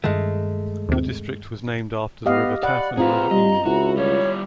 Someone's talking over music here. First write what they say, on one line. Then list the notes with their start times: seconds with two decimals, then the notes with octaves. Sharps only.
The district was named after the River Taff and the River Ely.
0.04 G2 D#3 G#3 A3
0.89 D#2 C3
2.26 B3 G4 D#5 F5
2.63 D5 F#5 B5
2.97 C4 F4 G#4 B4 A#5
3.31 G3 D#5
3.66 C#2 E4 F#4
3.97 G3 F4 C#5